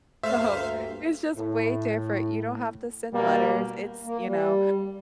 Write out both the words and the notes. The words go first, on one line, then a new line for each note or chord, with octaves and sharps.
So, it's just way different. You don't have to send letters. It's, you know,
D2 G2 A3 A#3 C5 E5 F5
A2
B2 G3 A#3
A#3
G3